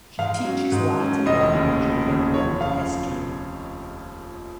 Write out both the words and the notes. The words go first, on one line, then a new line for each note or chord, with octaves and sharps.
She teaches Latin language and Roman history.
G#2 F5
F#3 C#4
G#2
F#3 C#4
F1 D#5
D#2 C#3
F1
D#2 C#3
F1 C#5
F2 C#3 F5